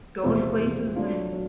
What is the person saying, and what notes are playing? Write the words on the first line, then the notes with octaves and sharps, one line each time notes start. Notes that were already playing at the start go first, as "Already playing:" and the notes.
going places and,
E2 C3 F3 G#3 C4
E2 C3 F3 G#3 C4
F#3 A3 D4 F4
F#3